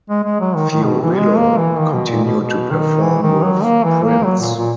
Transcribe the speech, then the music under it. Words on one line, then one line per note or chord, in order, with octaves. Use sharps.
Fiorillo continued to perform with Prince.
G#3
G#3
F#3
D#3
D#3
B2
E3
G#3
A#3
E3
D#3
B2
A#2
B2
B2
D#3
E3
D#3
F#3
A#3
E3
A#3
F#3
A#2
A#2